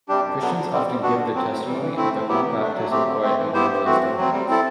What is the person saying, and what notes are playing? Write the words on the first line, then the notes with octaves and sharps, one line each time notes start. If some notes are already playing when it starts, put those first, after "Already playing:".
Christians often give their testimony at their own baptism or at evangelistic events.
C3 G3 D4 G4
F#2
D3 F#3 B3 D4
D2
D3 G3 C4
G3
B3 D4 F#4
D3
F#3 C4
A2
E3 G3
E3
A3 C4 E4
A2
F#3 B3 E4 G4
E3
A3 D4
F#3
A3 C4 G4
D3
A3 C4
E3
B3 E4 G4 C5
G2
E3 A3 C4 F#4
A2
F#3 C4
G3
C4 E4 A4